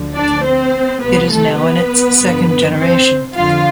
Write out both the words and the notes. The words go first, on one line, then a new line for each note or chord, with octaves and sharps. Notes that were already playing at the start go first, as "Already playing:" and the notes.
It is now in its second generation.
Already playing: D2 D3 F3
D4 D5
C4 C5
C2 C3 F3 B3 B4
A3 A4
B3 B4
G2 D3 F3
C4 C5
F2 D3 F3 F4 F5